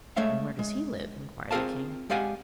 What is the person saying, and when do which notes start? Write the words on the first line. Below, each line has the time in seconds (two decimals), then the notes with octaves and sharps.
'And where does he live?' inquired the king.
0.16 G#3 A3 C#5 E5 F5
0.59 G#3
1.51 C4 F4 G#4 A#4 F5 A5
2.10 G#3 G4 D5 F5 F#5 G#5